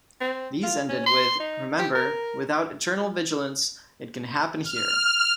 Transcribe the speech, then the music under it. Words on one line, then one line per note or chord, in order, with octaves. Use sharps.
These ended with Remember: without eternal vigilance, it can happen here.
C4
F4
C#4
C6
D#4
G4
A#4
F6